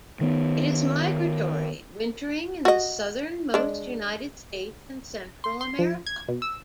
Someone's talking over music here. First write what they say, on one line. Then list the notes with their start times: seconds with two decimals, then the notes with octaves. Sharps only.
It is migratory, wintering in the southernmost United States and Central America.
0.21 D#3 B3
2.65 F#4 D#5
3.54 G#3 D4
5.44 C6
5.61 C6
5.79 F3
6.07 G#6
6.28 B2
6.42 E6